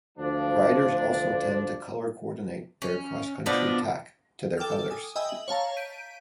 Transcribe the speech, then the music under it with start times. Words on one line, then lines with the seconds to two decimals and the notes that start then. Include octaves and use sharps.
Riders also tend to color-coordinate their cross-country tack to their colors.
0.18 D2 F3 D4
2.82 C#4
3.46 B2 F3 B3 D4
4.57 A4 G5 D6 E6 F6
4.91 G#5 D#6
5.16 D#5 E5 G5 G#5 B5 E6
5.29 F#7
5.48 C#5 F5 A5 A#5
5.76 G6 B6 D7 D#7